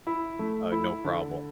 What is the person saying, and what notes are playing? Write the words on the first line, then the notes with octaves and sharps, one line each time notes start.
uh, no problem,
E4
A3
E4
D3